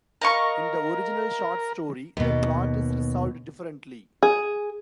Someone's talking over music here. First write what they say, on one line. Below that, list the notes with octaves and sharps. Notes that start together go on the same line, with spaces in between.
In the original short story, the plot is resolved differently.
A#4 D#5 F5 C#6
D#2 B2
G#4